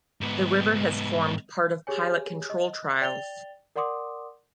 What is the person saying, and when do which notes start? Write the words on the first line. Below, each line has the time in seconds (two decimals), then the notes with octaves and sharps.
The river has formed part of pilot control trials.
0.21 G#2 B3
1.87 G4 G#4 C#5 G#5
2.50 D#5
3.01 D5 G5 A6 F7 G7
3.76 A#4 D5 F#5 C6 D6 D#6